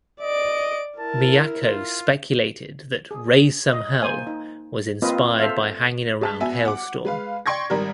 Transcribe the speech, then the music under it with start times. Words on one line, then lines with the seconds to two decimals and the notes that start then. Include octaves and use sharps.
Miyako speculated that "Raise Some Hell" was inspired by hanging around Halestorm.
0.21 D5 D#5 D7
0.99 E4 A#4 A5
1.63 F4
3.11 G#4
3.72 D#5
4.02 A#3 C5 G#5
4.27 D#4
5.02 A#3 C4 F4 B4 D#5
5.39 A4 C5 E5 F5
6.21 G#3 A5 B6
6.40 B3 F#4 E5 G#5
6.65 F#5 D6
7.05 G#3 B4 F5
7.46 D5 G5 C6 C#6 G#6 A#6
7.70 G#1 G3 A#4